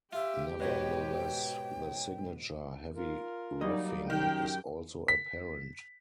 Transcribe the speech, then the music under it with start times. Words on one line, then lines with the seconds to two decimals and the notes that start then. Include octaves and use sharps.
Nevertheless, the signature heavy riffing is also apparent.
0.13 F4 G4 E5
0.60 G#2 B2 B4 C#5 G5
2.95 F4 A#4
3.61 F#3 G3 A#3 D#4 D5 D#5
4.10 F#2 D#3 G4 G5
5.08 B6